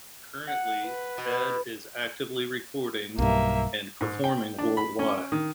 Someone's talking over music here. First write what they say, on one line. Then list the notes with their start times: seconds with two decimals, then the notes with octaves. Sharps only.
Currently, Ted is actively recording and performing world wide.
0.47 F#5
0.85 B4
1.18 B2
3.19 B1 G2 A#3 E5
4.01 G#2
4.24 G5
4.59 D4
4.77 B5
4.99 C#4
5.32 D#3